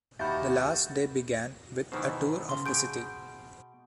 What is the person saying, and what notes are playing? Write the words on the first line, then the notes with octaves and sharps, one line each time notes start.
The last day began with a tour of the city.
D#2 F#4 E5 B5 G6 A6
B2 D#3 E3 B3 D#4 C5
C#3 C6
B2 G#4 G6 D7